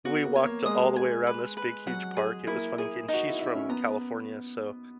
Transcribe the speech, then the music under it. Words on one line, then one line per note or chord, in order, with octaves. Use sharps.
we walked all the way around this big huge park, it was funny kin she's from California, so,
B3 F#4
A#3
C#5
A#3
G#3 D#6
G#5
B4
B4
F#3 F#5
G#4
A#3 E4
G#4
D#4
F#4
E4
D#4 E5
C#4
B3 A#5